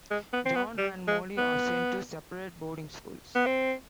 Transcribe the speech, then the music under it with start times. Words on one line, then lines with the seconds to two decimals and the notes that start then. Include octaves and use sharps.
John and Molly are sent to separate boarding schools.
0.11 G#3
0.33 B3
0.46 C4
0.55 B3
0.78 G3
1.08 G#3
1.38 B3
3.35 B3
3.46 C4